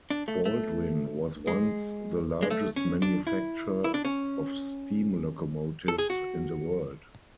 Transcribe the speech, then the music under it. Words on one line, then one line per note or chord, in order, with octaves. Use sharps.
Baldwin was once the largest manufacturer of steam locomotives in the world.
D4
A3
A3
G#3
G#3
A3
C#4
D4
E4
E4
D4
C#4
A4
G#4
F#4